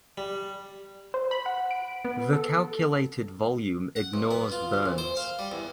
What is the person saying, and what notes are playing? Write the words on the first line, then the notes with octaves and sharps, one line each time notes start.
The calculated volume ignores burns.
G3
C5
B5
F#5
D7
B3
A4
F#5
B1
B3
F4
D2
A#1
C5
F5
G3
E2